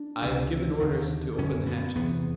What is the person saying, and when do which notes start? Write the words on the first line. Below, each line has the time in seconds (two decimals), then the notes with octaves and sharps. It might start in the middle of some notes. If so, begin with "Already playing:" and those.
"I've given orders to open the hatches."
Already playing: D4
0.22 C#2 C3
0.80 D#2 D3
1.38 F#2 D3 C#4
1.67 B3
1.96 E2 C3 B3